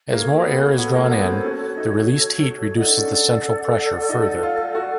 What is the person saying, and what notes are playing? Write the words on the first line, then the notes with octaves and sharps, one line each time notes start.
As more air is drawn in, the released heat reduces the central pressure further.
A#3 F#4 A4 C#5
B3
B3
A#3
B3
C4
C#4
D#4
D#4 A4 D5 F#5
D4
C#4
D4
D#4
F4
F#4